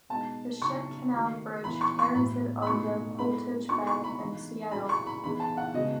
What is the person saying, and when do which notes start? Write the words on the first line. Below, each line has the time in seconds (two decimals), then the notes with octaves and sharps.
The Ship Canal Bridge carries it over Portage Bay in Seattle.
0.10 B2 G#3 D#4 A5
0.61 C#3 F#3 B3 D#4 C#6
1.13 D#3 A3 D#4 F#4 A4
1.64 E3 B3 E4 B5
1.81 C#6
1.99 C#6
2.15 A2 F#3 B3 B5
2.62 B5
2.67 B2 A3 D#4 C#6
3.18 G#3 B3 E4 A4 B5
3.69 B3 D#4 F#4 A4 C#6
3.87 C#6
4.04 B5
4.21 E3 G#3 D#4
4.72 F#3 C#4 G#4 D#5 B5
4.89 C#6
5.07 B5
5.23 E3 B3 D#4 G#4 B5
5.40 A5
5.57 F#5
5.74 C#3 G#3 B3 F#4 D#5